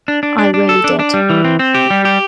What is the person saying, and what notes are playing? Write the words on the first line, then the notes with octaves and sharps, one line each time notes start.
I really did.
D4
D4
D4
D4
A4
D4
D4
G3
E3
C4
C4
G4
G3
G4